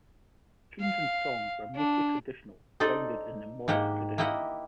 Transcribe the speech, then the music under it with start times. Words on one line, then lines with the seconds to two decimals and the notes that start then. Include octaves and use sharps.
The tunes and songs were mostly traditional, grounded in the Morris tradition.
0.81 F5
1.76 D4
2.80 D#4 A4 C5 D5 D#5
3.68 G#2 A#3 G4 F#5
4.18 A#3 E4 G4 D#5 F#5